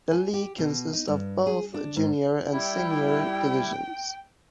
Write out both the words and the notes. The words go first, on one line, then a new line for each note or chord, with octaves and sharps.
The league consists of both junior and senior divisions.
G#5
G4
B2
D#4
G2
G#4
D4
G#2
G3 E4 G5